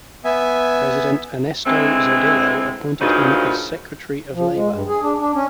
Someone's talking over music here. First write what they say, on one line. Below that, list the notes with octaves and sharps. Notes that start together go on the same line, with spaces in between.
President Ernesto Zedillo appointed him as Secretary of Labor.
B3 E5 G#5
D3 E3 G#3 A3 C4
D2 G2 A#2 C#3 D#4 C5
F3
G#3
G2
G#4
D4
D4
C#4